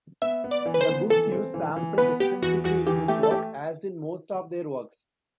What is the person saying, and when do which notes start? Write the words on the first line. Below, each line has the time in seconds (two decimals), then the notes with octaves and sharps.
The Books use samples extensively in this work, as in most of their works.
0.22 B3 E5
0.44 B3
0.51 D5
0.66 E3
0.74 B4
0.81 C5
0.88 B3
1.10 E3 A4
1.32 C4
1.54 E3
1.76 E3
1.98 B3 B4
2.20 B3 G4
2.42 E2 F#4
2.64 E2 F#4
2.87 E3 G4
3.08 A3 G4
3.23 A4
3.31 A3 G4